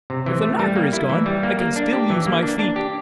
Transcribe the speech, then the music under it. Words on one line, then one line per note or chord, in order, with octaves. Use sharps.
"If the knocker is gone, I can still use my feet."
C3
E3
A3
G3
A#3
E4
E3
G3
A#3
A#3
D4
G4
E3
A#3
D4
D4
G4